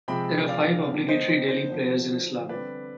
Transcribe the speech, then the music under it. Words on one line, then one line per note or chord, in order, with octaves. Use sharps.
There are five obligatory daily prayers in Islam.
C3 F3 G#3 C4 G5 B5
D5 F5
D#3 G3 B3 D4
C5 D#5
C5
C5
D3 F3 B3 D4
D3 G3 C4 B4 D5